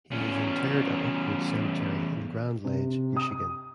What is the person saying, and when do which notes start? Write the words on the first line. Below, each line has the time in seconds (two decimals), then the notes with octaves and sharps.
He is interred at Oakwood Cemetery in Grand Ledge, Michigan.
0.11 E2 C#4
2.65 C3
3.17 D#6